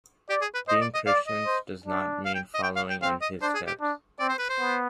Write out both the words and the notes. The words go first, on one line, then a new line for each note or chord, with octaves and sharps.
Being Christians does not mean following 'in his steps.
G4 D5
G#4
B4
C5 D#5
D5
D#5
D5 F5
D#5
C5
D4
F5
G5
D#5
G5
F5
G5
C4 F5
D#5
D4 C5
G#4
G4
D4
C4 D5
C5
B4
C5
B3